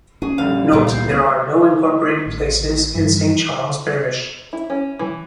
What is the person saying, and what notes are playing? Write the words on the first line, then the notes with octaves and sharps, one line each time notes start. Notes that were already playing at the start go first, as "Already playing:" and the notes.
Note: There are no incorporated places in Saint Charles Parish.
C#4 G#4
A#1 D3 G3 F5
C#2 A#2 B3 E4 F4 A4
F5 G6
B3
A1
G2 E3
E4
C#4
E3